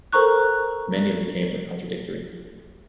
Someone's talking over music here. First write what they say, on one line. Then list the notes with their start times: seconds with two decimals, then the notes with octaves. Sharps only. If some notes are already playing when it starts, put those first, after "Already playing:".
Many of the claims are contradictory.
0.13 A4 A#4 C5 A#5 C#6 F#6